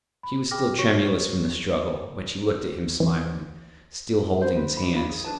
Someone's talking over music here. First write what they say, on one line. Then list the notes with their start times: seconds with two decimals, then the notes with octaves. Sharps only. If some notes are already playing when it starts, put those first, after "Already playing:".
She was still tremulous from the struggle; but she looked at him smiling, still holding his hands.
0.23 B5
0.51 G#4 G5 D6 F6 A#6
0.79 F#4 C#5 C#6 A#6 G7
3.00 E3
4.41 B4 C5
4.56 B4
4.77 B5
4.93 D4 F4 B5
5.10 G#4
5.24 D4 A#4 B4 A5